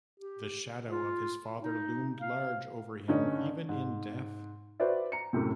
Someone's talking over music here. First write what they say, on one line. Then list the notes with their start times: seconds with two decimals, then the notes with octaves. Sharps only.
The shadow of his father loomed large over him even in death.
0.20 G4
0.90 F4
1.61 D#4
2.21 F5
3.08 G2 D3 C#4 D#4
3.69 G#2
4.80 F#4 B4 C5 D5 E5
5.12 A#5 C#7
5.33 F#2 A2 C3